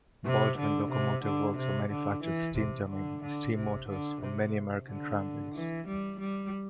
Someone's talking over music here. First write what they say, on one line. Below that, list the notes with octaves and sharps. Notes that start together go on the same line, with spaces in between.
Baldwin Locomotive Works manufactured Steam Dummy or Steam Motors for many American tramways.
C3
D3
C3
D3
C3
D3
E3
C3
D3
D3
C3
D3
C3
D3
E3
G3
G3